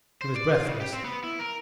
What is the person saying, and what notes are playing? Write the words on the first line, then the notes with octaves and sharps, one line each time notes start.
She was breathless.
C5
D5
F4
C#3
G4
C4
B3
E4
A#4